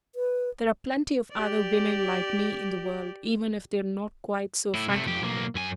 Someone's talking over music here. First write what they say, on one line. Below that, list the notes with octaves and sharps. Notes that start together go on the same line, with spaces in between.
There are plenty of other women like me in the world, even if they are not quite so frank about it.
B4
G4 D5
A2 E4
C3 A3
F2 G4
B1 A#3
F#2 G#5